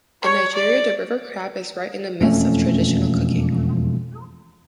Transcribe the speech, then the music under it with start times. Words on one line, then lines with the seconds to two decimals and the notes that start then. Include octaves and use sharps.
In Nigeria, the river crab is right in the midst of traditional cooking.
0.22 C#5
0.55 D5
2.21 E1 F2 A3 C#4